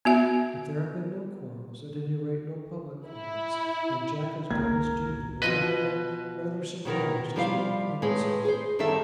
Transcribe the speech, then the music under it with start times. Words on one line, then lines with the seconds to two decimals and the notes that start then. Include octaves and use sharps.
But there have been no quarrels, at any rate, no public quarrels, and Jack has done his duty in a manner that rather surprised his old acquaintances.
0.05 B3 F#4 E5
3.07 E4
4.50 G1 C#2 A#3 A#4 G#6
5.42 B2 F3 B4 D#5 G#5
6.85 B2 D#3 E4 A#4
7.36 F3 G3 E4 G4 F5
8.02 A2 D#3 G#3 G#4 B4
8.45 G#4 C5
8.79 F#2 D#3 G3 A4 E5 A5